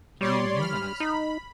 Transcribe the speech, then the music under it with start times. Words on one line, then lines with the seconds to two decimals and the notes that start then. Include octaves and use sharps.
being human, I suppose.
0.21 G3 C#5 D5 C6
0.56 B5 F6
1.00 D#4 B5